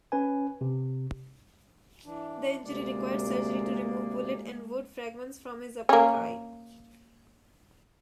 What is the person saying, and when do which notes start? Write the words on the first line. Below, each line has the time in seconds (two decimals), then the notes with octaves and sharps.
The injury required surgery to remove bullet and wood fragments from his upper thigh.
0.12 C#4 B4 G#5
0.61 C3
2.06 E3 D4
2.65 D2 C3 G#3 A#3 D5
5.89 A#3 C#4